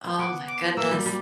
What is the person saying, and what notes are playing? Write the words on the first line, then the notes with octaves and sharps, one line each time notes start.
Oh, my goodness.
B3 D6
D6
A#3 E6
G3
G3